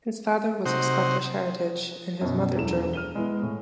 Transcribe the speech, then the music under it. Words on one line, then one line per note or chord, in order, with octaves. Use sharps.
His father was of Scottish heritage and his mother German.
C3 D#4 F#4 C5
F#2 B2
E1 E4 A4 E7
F6 D#7 G7
G#3 B3 E4
A2